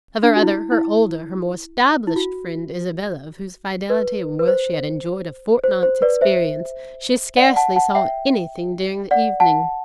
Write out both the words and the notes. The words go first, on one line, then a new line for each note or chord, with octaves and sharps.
Of her other, her older, her more established friend, Isabella, of whose fidelity and worth she had enjoyed a fortnight's experience, she scarcely saw anything during the evening.
D4
F#4
E4
E4
E4
F#4
B4
B4
C5
C5
C5
B4 D5
C5 E5
D5 F#5
F#5 A5
F#5 A5
E5 G5
D5 F#5
F#5 A5